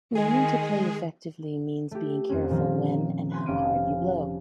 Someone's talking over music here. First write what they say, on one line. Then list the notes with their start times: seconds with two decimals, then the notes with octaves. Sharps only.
Learning to play effectively means being careful when and how hard you blow.
0.15 D#3 G#3 G#4 G#5
1.91 A3 G4
2.29 F2 C4 C#4
2.50 A#2 D#3 F3 G3 A#3
3.32 B4 G#5 C6
3.46 F1 C#4 F5 D7 D#7